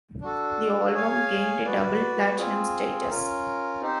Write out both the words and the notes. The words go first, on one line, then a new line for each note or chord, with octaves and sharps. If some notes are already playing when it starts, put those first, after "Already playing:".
The album gained double platinum status.
D4 F#4 A4
G#4 C#5 F5 G#5
F#4 B4 D5
C4 F4 G#4
C#4 F4 A#4
C4 D#4 G4 C5